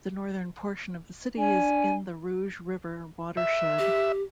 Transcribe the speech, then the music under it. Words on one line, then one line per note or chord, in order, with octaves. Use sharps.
The northern portion of the city is in the Rouge River watershed.
D4 G#5
E5
G4